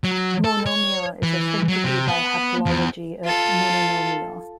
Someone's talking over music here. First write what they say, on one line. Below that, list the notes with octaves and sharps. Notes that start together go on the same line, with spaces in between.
"Monomial" is a syncope by haplology of "mononomial".
F#3
A4
C#5
E3
F#3
C3
B3
E2
F4 A4